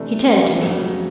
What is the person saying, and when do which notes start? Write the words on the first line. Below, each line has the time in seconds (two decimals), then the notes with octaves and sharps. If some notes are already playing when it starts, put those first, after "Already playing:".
He turned to me.
Already playing: C3 E3 A3 D4
0.58 F2 C#3 F#3 A3